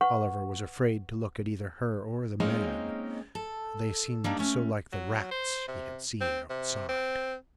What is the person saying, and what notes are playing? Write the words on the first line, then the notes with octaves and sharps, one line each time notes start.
Oliver was afraid to look at either her or the man. They seemed so like the rats he had seen outside.
B4 F#5 C#6
G#3 A#3 C4 C#4 D#4
A4
G3 A#3 D4 D#4
A3 C#4
F#3
C5
C3
C4
C3
C4